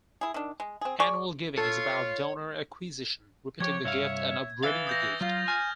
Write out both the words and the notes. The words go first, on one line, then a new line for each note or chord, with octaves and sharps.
Annual giving is about donor acquisition, repeating the gift and upgrading the gift.
E4 G#4
D#3 D4
G#3
C4 G#4
G#4 D5 C#6
F4 A4 C#5
F3 G4 C#5 G#6
C2 G2 C#5 E5 F5
E3 F5 A6 G7
D#6 G6 A#6
F#3 F4
G#5 F6 G6